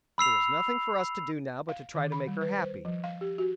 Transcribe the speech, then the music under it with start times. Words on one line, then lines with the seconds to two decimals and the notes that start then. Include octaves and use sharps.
There is nothing for us to do now but to try to make her happy.
0.18 B5 E6 C7 F7
1.69 F5
1.95 D#3
2.12 B5
2.28 G3
2.41 B4
2.59 C5
2.85 F3
3.04 F5
3.21 G4
3.38 F#4